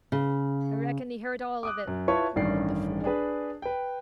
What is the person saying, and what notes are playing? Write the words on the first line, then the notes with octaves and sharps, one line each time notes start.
"I reckon he heard all of it," growled the fool.
C#3
D6 D#6 F#6
F#2
E4 F4 B4 C#5 A5 C#6
A1 G2 D#3 C#4 D5 C7
D4 G#4 B4
B4 G5